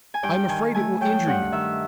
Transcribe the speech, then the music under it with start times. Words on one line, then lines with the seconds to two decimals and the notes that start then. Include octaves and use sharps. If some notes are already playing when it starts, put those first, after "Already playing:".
"I am afraid it will injure you."
0.14 G#5
0.23 G2 G5
0.49 D#3 G#5
0.74 A3 G#5
1.01 F#3 G5
1.27 G2 F#5
1.52 D#3 E5